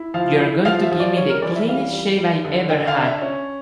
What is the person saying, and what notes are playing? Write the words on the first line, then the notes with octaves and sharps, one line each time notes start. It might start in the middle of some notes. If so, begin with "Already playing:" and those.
You're going to give me the cleanest shave I ever had.
Already playing: E4
F3 F5
E4
F3 F5
E5
F3
D5
G3 C#5
A#4
E3 D5
E5
G3 F5
G3
G3
D3
D3 G5
F5
D4
E5
C#4